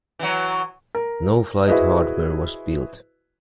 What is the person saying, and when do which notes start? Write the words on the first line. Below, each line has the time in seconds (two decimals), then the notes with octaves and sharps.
No flight hardware was built.
0.19 E3 F#3
0.95 A#4
1.68 E4 F#4 G#4 B4 C5 D#5